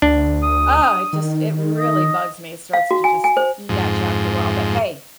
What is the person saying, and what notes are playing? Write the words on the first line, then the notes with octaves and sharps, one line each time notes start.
oh, it just it really bugs me. It starts to just eat at you after a while. But, hey,
D2 D4
D#6
D#3
D#5
F5
F#4
G#5
G#5
C5
F2 G#2